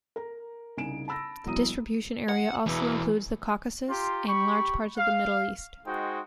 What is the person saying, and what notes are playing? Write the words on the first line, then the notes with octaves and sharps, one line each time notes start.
The distribution area also includes the Caucasus and large parts of the Middle East.
A#4 A#5
C2 C#3 D#4 G#5 D7 E7
A5 B5 E6 A6 A#6
E1 F#3 E4 A#5 D#6 D#7
F#5
E2 B2 E3
F4 G4 A#5 C6
G4 B5 C#6
F5
G#3 D#4 F#4 C5 G5